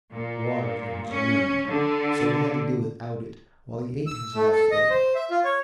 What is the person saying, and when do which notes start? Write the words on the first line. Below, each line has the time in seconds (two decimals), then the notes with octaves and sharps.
Water there was none, so he had to do without it while he ate his last egg.
0.13 A#2
1.10 C#4
1.69 D3
4.07 E6
4.35 A3
4.52 A4
4.71 D#5
4.90 C5
5.15 E5
5.31 F4
5.44 C#5